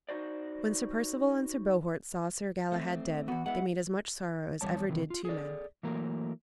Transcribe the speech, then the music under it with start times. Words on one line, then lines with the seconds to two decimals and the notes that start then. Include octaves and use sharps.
When Sir Perceval and Sir Bohort saw Sir Galahad dead they made as much sorrow as ever did two men.
0.09 D#4 F#4 C5 D5
2.72 A3 C4
3.28 E3 B3 F#4
3.46 G#3 B3 E4 F#5
4.61 E2 C3 G3 C#5 A5
4.89 C3 D#3 E3
5.10 F4
5.25 G#4 A4 D5
5.83 E3 F#3 A3 A#3 A#4